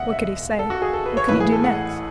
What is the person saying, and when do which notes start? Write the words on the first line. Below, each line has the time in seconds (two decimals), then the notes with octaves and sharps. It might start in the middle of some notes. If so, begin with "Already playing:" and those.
What could he say; what could he do next?
Already playing: E1 D#2 C#3 D#5 E5 F#5
0.12 E5
0.59 A4
0.70 F#4
0.82 G#4
0.93 A4
1.06 B4
1.17 C#5
1.29 A1 A2 E3 B4
1.40 G#4
1.52 A4
1.64 F#5